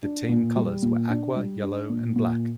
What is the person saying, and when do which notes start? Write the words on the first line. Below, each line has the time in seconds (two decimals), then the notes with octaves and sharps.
The team colours were aqua, yellow and black.
0.03 D4
0.29 A#2
0.56 G3
0.83 A#2
1.09 D4
1.36 G3
1.63 D4
1.89 A#2
2.16 A#2